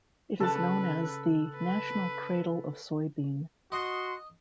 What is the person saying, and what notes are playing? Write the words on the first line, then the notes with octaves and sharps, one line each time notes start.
It is known as the "National Cradle of Soybean".
C#3 A4 B4 F#5 A5
B4
F#4 D#5 C6